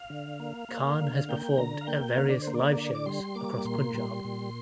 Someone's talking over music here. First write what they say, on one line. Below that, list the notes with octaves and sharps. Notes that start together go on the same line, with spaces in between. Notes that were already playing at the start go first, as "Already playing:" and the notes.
Khan has performed at various live shows across Punjab.
Already playing: F5
D3
A#3
A#3
D3
A#3 G5
D3 A#5
F5
A#3 G5
D3 F5
D5
C5
A#3
D5
D3
D6
G3 C6
A#3 D6
A#2 C6
G3
A#2